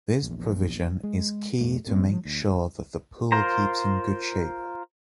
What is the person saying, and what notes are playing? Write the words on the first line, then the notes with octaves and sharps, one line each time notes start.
This prevision is key to make sure that the pool keeps in good shape.
A#1 E2
G#3
F2 A2 A3
A2 A#3 C4
F3 F#3
D2
F4 A#4 C5 A#5